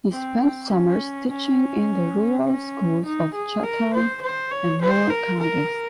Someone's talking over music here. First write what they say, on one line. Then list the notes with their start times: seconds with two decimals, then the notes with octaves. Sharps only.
He spent summers teaching in the rural schools of Chatham and Moore counties.
0.12 C4
0.41 C4
0.70 C#4
1.30 C#4
2.47 C#4
3.06 D#4
3.34 G#4
3.64 A#4
3.94 C5
4.22 C5
4.51 C#5
4.82 C5
5.10 A#4
5.40 A#4